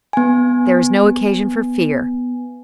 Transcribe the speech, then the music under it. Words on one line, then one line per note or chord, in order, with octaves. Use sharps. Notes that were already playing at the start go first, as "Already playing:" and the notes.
There is no occasion for fear.
B3 G#5